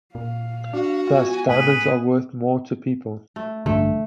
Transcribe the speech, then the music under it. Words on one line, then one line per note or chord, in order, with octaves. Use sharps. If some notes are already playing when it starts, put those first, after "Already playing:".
Thus, diamonds are worth more to people.
A#2 F5
D4 F#4
B3 F4 G#5
A2 B4 D#6
A3
A1 G2 D3 A3